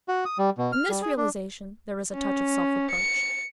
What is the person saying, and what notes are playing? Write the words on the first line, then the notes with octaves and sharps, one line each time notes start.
In this realization there was a touch of self-reproach.
F#4
D#6
G3
B2
F6
G3
G#4
D4
C#4
C#7